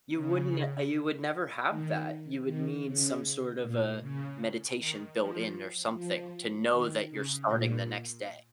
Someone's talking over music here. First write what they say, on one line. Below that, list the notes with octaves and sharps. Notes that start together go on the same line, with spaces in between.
You wouldn't n uh, you would never have that. You would need some sort of a meditation built in or something to know that you're starting the next day.
C#3
D#3
D#3
C#3
A#2
C#3
D#3
F3
F3
D#3
C#3
A#2